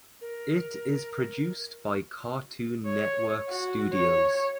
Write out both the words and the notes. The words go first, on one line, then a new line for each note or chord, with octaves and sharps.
It is produced by Cartoon Network Studios.
A#4
C#5
F#4
C#5